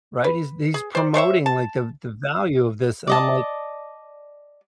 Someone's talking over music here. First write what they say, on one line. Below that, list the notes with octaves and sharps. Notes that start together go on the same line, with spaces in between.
right? He's he's promoting like the the value of this." And I'm like
B4
G#4
C5 D5
A3 C5 C#5 E5
A5
D5 D#5 A5